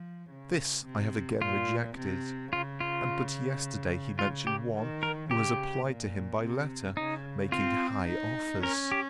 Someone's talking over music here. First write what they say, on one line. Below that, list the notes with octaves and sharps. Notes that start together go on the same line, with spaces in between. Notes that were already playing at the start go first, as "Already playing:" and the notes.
This I have again rejected; and but yesterday he mentioned one who has applied to him by letter, making high offers.
Already playing: F3
C#3
C3
A#2 F4
C3
C#3 F4
F4
C#3 F4
G4
D#3
A#4
C#3 G4
A#2
C3
C#3 D#4
C4 F4
D#4
C#4 A#4
G4